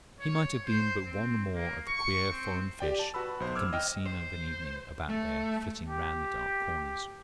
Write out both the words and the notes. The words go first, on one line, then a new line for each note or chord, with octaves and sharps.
He might have been but one more of the queer foreign fish that can be seen of an evening about there flitting round the dark corners.
C#5
C5
C4
A#3
C#6
C4
G4 D5 G5
A5
F#4 B4 A5 B5 E6
B1 C5
D6 E6 F6 G#6
D#5 G5 F6
C5
A3
G4